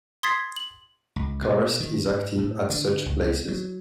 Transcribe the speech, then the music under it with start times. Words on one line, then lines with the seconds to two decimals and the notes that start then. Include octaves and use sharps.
Karst is active at such places.
0.23 C6 D#6 G#6 A6 B6 C7
0.56 F#7
1.16 C#2
1.42 B2
1.80 D#3
2.05 G#2
2.38 A2
2.70 D3
3.06 C#2
3.48 F#3